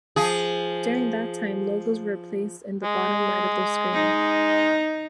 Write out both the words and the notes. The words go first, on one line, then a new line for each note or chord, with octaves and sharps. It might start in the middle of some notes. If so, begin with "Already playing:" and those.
During that time, logos were placed in the bottom-right of the screen.
F3 G#4
G#3
D#4